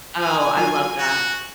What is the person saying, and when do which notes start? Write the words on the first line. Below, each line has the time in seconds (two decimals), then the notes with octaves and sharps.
Oh, I love that.
0.20 G#5
0.57 F#3 F4
0.99 F#4